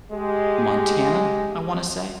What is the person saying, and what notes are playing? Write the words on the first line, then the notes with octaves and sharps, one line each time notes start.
Montana, I wanna say,
G#3 G4